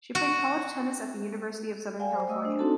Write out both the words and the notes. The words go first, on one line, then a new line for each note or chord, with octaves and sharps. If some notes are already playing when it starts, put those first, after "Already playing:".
She played college tennis at the University of Southern California.
F#4
D5 F5 G5 G#5
F#3 C5
A3 D#5 D#6 E6
D4 C5
C4 D#4 F#4 A4 A5